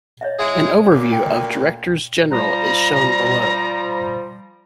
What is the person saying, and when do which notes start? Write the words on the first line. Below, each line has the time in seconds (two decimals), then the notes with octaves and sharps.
An overview of Directors-General is shown below.
0.21 C#5 D#5 E5
0.39 G#3 E4 G#4 E5
0.92 D2 A#2 D6
1.12 G5
2.31 F3 G3 A#5